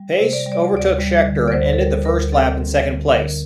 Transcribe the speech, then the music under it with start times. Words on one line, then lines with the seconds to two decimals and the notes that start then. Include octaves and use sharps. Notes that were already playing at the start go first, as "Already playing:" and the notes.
Pace overtook Scheckter and ended the first lap in second place.
Already playing: G3
0.13 C5
0.20 C3
0.33 D5
0.46 G3
0.52 D5
0.72 D2 D5
0.99 G3
1.25 D3
1.48 D5
1.52 D2 C5
1.73 A4
1.79 G3 A#4
2.05 D2 A#4
2.32 C4 A4
2.60 G3
2.86 D3
3.12 D3 A#4